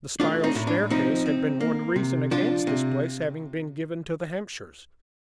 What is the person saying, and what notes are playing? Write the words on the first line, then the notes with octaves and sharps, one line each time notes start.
The spiral staircase had been one reason against this place having been given to the Hampshires.
A3 D4 F4
C4 D#4
A2
D4
F3 C4 D#4
C4
A#3
C3
F3 D4 F4
C3